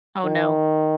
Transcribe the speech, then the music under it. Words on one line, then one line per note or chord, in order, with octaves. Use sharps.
Oh no.
D#3